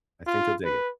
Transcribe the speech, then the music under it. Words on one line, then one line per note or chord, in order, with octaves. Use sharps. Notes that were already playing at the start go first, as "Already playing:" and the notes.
I think you'll dig it.
F4
B4